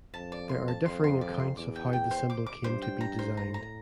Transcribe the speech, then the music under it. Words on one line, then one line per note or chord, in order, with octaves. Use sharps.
There are differing accounts of how the symbol came to be designed.
F2 A5
D5
C6
A5
F2 C6
C6
D5
C6
E2 D6
G5
G5
C5
D6
D6
G2 C5
G5
A#5
C5
A2 A#5
A#5